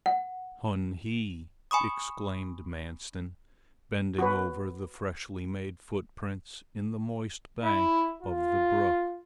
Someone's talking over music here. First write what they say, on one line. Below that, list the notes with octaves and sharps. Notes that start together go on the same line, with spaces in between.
"Hun-he!" exclaimed Manstin, bending over the freshly made footprints in the moist bank of the brook.
F#5
G#5 B5 C#6 D#6
F#4 B4
E4
F4